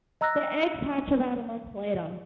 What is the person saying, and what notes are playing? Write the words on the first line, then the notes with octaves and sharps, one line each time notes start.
The eggs hatch about a month later.
D#5 A#5 E6 F#6 A#6